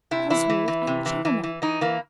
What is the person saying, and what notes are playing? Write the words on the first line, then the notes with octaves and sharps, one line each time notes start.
Oswald and Challoner!
C3 E4
E3 E4
E3
E3
C3
E3
E3
E3
E3 D#4
E3 A#3